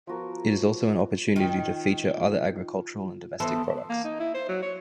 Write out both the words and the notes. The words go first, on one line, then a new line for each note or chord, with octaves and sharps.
It is also an opportunity to feature other agricultural and domestic products.
F3 B3 F#4 A#4
D#3 F4
E3 B3 A4 C5 C6 D#6
A#3
D#4
E4
C5
F#3
C#5